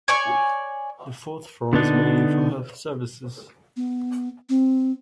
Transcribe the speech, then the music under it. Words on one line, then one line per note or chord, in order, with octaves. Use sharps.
The fourth floor is mainly for health services.
C#5 D5 G#5 C#6
D3 B3 D4 D#4
B3
C4